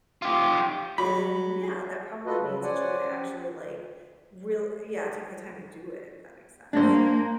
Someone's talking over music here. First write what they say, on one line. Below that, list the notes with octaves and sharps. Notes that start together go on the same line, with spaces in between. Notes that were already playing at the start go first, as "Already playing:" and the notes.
then yeah, that probably means that you're gonna actually, like, real yeah, take the time to do it, if that makes sense?
F4 G4
F#3 B5
F4 F#4 A4 B4 D#5
C#3
C#4 C5 D5 F#5 G#5
G4
A#3 D4 C5